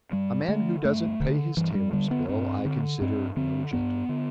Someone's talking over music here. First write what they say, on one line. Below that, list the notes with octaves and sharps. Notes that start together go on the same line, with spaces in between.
A man who doesn't pay his tailor's bill, I consider no gentleman.
G2 G3
D3 A3
G2 A3
D3
G2 E3
G3
D3 G3
B3
G2 C4
D3
G2 C4
D3 C4
G2 B3
D3